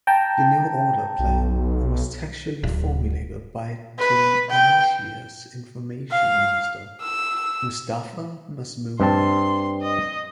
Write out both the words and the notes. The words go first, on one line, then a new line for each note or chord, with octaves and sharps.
The 'new order' plan was textually formulated by Tunisia's Information Minister Mustapha Masmoudi.
G5 A5 A#5
B1
D1
B4
G5
F5
E6
G2 C4 A5 C6
D#5